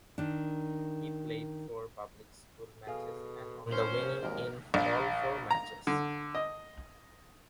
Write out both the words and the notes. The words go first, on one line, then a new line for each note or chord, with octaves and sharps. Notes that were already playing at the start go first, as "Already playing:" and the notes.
He played four Public Schools matches and on the winning in all four matches.
D#3 D4
B2 G#4 A4 F5
C#4 A#4 C5
G#1 D#2 A#4
A#1
A#5
D3
D#5